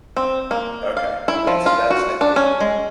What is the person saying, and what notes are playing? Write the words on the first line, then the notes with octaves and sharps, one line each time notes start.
Okay, yeah, see, that's I think
C4
A#3
F5
E4
F3
F4
F#4
D4
C#4
G#3